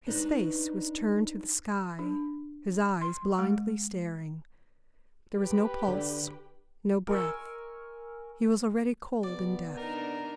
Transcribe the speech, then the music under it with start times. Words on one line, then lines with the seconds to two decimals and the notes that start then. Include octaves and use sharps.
His face was turned to the sky, his eyes blindly staring; there was no pulse, no breath; he was already cold in death.
0.07 D4 D#4 B4
1.99 D4
3.01 C6
3.39 G#3
5.38 G4 B4
5.88 D3
7.08 A#4 G#5 C#6 E6
9.23 C3 B3 D5
9.77 D4 D#4 A#4